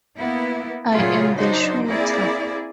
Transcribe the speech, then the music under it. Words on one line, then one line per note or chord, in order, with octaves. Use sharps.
I am the shooter.
A#3 B3 E4
A#2 C#3 F#3 A3 F4 G#4
F#3 D4 D#4 C5
A#3 C4 E4 G#4 D5